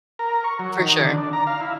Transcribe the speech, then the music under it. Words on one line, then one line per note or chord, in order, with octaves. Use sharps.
For sure.
A#4
C#6
F#3
D#3
D3
D4
A#5
F5
E4